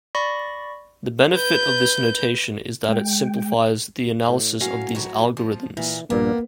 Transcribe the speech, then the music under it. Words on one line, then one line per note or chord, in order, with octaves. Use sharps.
The benefit of this notation is that it simplifies the analysis of these algorithms.
D5 B5 C#6 A#6
B4 G6
G#3 G5
A2
F#3 C#4 F5
F2 F#3 F#4
F3
A#2 E3
A#1 G2 A#2 A#3 B3